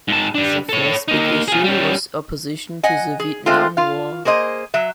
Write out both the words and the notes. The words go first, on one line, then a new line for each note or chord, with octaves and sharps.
Their first big issue was opposition to the Vietnam War.
G#2 A5
G3 D4
A4 C#5
A#3 D#4
F4 G#4
G3 C#4
D#5 F#5 G#5
G#4
G#3 A3 C4 F4
F4 F5
A#3 G#4 C5 D#5
F#3 E5